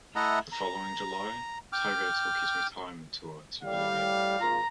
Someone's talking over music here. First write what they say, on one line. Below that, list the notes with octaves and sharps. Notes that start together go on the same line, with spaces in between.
The following July, Togo took his retirement tour to Bolivia.
A3 E4 A4 D#5 F#5 A#5
A#5
G5 D6 F6
A2 G3 F5
G#1 A#3 F4 A#5